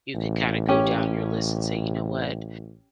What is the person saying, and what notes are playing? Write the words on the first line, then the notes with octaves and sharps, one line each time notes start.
you could kinda go down your list and say, "You know what?"
A1
C#4 G4